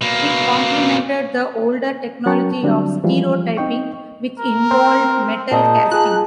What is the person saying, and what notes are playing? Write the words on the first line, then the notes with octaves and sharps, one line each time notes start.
It complemented the older technology of stereotyping, which involved metal casting.
B2 A#3
F#3 C#4 A#4 G5 A5 C#6
D3 F#3 G3 C4 D4
E3 F3 G3 G#3 F4
C4 D#4 D#5 G5 C#6
A#4
C4
A#2 D#4 G#4 D#5 A5 D#6
F4 G#4 F#6